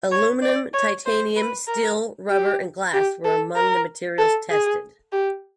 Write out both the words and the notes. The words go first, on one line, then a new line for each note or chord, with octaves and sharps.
Aluminum, titanium, steel, rubber and glass were among the materials tested.
C#5
D5
C#5
C5
B4
A#4
G4
G4
A4
A#4
A4
G#4
G4